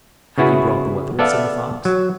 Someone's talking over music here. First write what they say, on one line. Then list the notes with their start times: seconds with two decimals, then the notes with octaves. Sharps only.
'Have you brought the wether?' said the Fox.
0.38 C#3 B3 E4 F#4 G#4
1.19 B3 A4 D5 E5 F5
1.85 F#3